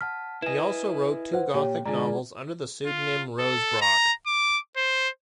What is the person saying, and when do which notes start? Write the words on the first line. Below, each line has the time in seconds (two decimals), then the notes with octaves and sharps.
He also wrote two gothic novels under the pseudonym Rose Brock.
0.01 F#5 A5 F6 B6
0.42 E4 B4 D#5 G#5 E7
1.32 B4 C5 F#5
1.54 A#2 G4 C#5 G5
1.85 G#2 D3 G#3 F4 G#4 D5 G#5 A#5
2.86 F4
3.39 A4
3.82 A#5
4.27 D6
4.76 C5